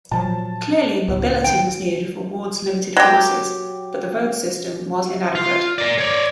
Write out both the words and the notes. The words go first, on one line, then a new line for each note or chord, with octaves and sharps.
Clearly, mobility was needed for Ward's limited forces, but the road system was inadequate.
A#2 F3 F#3 A5
C#2 A2 B3
D#2 G5
F#3 G4
F4
A#4 D5
C#5 D5